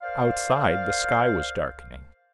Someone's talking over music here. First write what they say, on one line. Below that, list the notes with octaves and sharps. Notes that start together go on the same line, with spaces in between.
Outside the sky was darkening.
A#4 C5 D5 F5